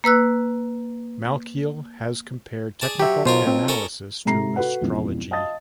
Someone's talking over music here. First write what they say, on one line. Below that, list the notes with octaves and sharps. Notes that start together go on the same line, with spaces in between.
Malkiel has compared technical analysis to "astrology".
A#3 B4 E6 F#6
G#4 D5 A5
F#3 G4 E5
B1 B2 F4 A#4 C5
C4
C#4 A4 A#4
G#2 C3 A4 A#5 C7
F#4 A4 B4 F#5
F1 C#2 B2 E3
D#5 F5 A5 D#6 A6